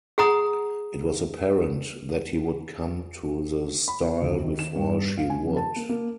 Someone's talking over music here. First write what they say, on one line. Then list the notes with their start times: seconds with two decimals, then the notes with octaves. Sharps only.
It was apparent that he would come to the stile before she would.
0.18 G#4 F#5 A#5 D#6
3.88 B5
4.01 B3
4.21 D2
4.42 D#3
4.59 E7
4.76 G2
5.17 F5
5.30 G#5
5.45 F2
5.57 A5
5.76 A#3
5.89 A#3